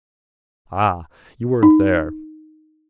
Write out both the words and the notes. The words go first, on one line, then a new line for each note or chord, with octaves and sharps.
Ah, you weren't there.
D#4